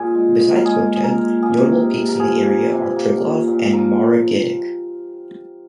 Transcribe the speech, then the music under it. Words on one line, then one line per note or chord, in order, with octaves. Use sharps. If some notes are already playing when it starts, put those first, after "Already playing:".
Besides Botev, notable peaks in the area are Triglav and Maragidik.
Already playing: A#2 G#4
G#3
A#2
A#4
G#3 G#4
A#2
G#4
A#4
G#3
A#3 G#4
C3
C3
A#4
F3 G#4
A#3
C3
A#3
A#2
A#2
F3 A#4